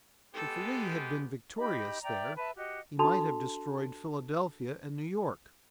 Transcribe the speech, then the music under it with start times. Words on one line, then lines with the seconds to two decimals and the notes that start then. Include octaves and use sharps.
If Lee had been victorious there, he might have destroyed Philadelphia and New York.
0.34 G#3 B3 G4 A4
1.58 D#4 G4 D#5 B5
2.02 D5 E5 G5 A#5
2.36 B4 E5 A5
2.56 F#4 G4 D#5 F#5
2.99 D4 F#4 A4 A5 C6 F7